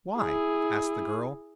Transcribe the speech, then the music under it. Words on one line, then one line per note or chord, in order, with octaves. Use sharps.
"Why?" asked the girl.
E4 G#4